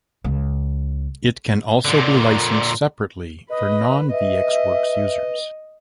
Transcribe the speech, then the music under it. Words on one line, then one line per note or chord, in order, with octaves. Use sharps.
It can also be licensed separately for non-VxWorks users.
C#2
A#2 D3
B4 D#5
B4 D#5 E5